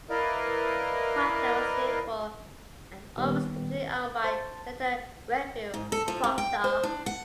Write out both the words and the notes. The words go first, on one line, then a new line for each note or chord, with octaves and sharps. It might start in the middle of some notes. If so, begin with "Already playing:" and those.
Proctor was named for and almost completely owned by Senator Redfield Proctor.
E4 A#4 B4 D5 D#5 F5
A#2 D#3 G3 B3 G4
C5 A5
G#2
A4
F3
C3
G5
C5
D4
F#5